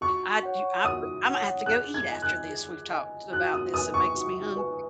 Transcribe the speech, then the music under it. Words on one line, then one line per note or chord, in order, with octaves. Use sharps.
I do Ima Imma have to go eat after this, we've talked about this, it makes me hungry,
F#4 C#6
C#5 F#5
F#4 D#6
C#5 F#5
G#4 F#6
G#6
D#5 G#5
F#6
G#4
D#5 G#5
F#4 F#6
D#6
B4 G#5 D#6
C#6
F#4
B4 G#5